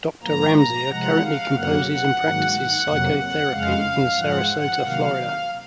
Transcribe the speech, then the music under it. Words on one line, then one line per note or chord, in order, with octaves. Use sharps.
Doctor Ramsier currently composes and practices psychotherapy in Sarasota, Florida.
G#2 F3 A#3 A#5
A#5
C3 F3 G#3 F#5
F5
F#2 C#3 F#3 A#3 F#5
F#5
G#2 D#3 F#3 A#3
F#5
F2 C3 F#3 A#3
F#5
F2 C#3 G#3 F5
G#2 F3 G#3 F#5
F#5
C3 D#3 F#3 A#3 F5